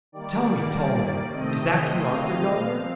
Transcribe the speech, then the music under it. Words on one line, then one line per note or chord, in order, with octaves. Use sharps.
'Tell me, tall man, is that King Arthur yonder?'
D#3 G3 A#3 D5
C3 D#3 A3 C4 D#5
F5
A#2 F3 C4